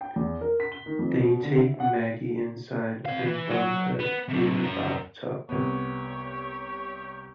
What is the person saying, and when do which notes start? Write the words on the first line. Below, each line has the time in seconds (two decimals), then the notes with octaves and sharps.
They take Maggie inside and dump her in the bathtub.
0.01 G5
0.16 E2
0.41 A#4
0.60 B6
0.72 G7
0.86 D#3
0.99 F2
1.21 B2
1.42 D3
1.58 E4
1.80 F#5
3.06 C4 F5
3.24 E3
3.50 F#3 F#4
3.99 B3
4.29 C3 F#3
4.64 F#2 A#4
5.49 C2 B3 G4 C#5